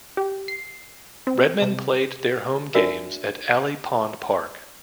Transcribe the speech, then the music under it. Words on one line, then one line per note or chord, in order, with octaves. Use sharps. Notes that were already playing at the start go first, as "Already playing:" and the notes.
The Redmen played their home games at Alley Pond Park.
G4
C7
C4
C3
D4 D#4 F#4 A#4 D5 E5